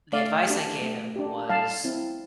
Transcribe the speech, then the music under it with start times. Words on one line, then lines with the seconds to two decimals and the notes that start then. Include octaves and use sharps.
the advice I gave him was,
0.13 A3 D5 F5
0.47 D4 G4
0.82 A3
1.16 D4 G4
1.49 G3 F5 A5
1.84 C4 E4